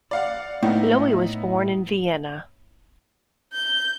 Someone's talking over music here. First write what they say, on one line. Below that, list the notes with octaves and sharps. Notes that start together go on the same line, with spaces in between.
Loewy was born in Vienna.
D5 F5 F#5
A2 B3 D#4 E4
G6